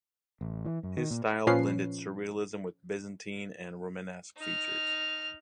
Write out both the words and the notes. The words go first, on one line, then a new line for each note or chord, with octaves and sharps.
His style blended surrealism with Byzantine and Romanesque features.
A1
E3
F#2
D#3
A#2
A#2 F3 C#4 B4 C7
D#4 F6